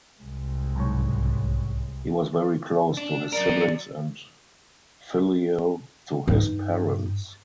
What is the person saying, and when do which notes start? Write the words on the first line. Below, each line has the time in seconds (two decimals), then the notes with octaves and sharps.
He was very close to his siblings and filial to his parents.
0.20 C2 G#3
0.76 B1 G#2 C#5
2.97 D4
3.32 F#3 A#4 D5
6.28 G2 D#4